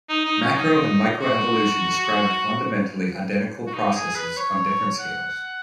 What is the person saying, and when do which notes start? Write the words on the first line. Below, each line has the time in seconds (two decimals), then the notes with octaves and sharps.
Macro and microevolution describe fundamentally identical processes on different scales.
0.09 D#4
0.25 D#4
0.41 C#4
0.56 D#4
1.19 F#4
3.67 F#4
3.73 D#4
3.95 G#4
4.15 B4
4.37 C#5
4.99 F#5